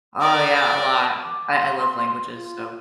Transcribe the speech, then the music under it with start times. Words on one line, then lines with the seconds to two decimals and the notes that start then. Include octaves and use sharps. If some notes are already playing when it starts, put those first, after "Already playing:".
Oh, yeah, a lot. I I love languages so,
0.20 A#4 D5
1.23 D6
1.51 C6
2.33 F4